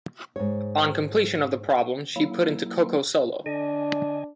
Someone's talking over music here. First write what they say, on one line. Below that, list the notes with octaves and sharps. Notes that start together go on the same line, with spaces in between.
On completion of the problem, she put into Coco Solo.
G#2 C#5
F#3 A#3 E4
D3 D4 D#5 G#5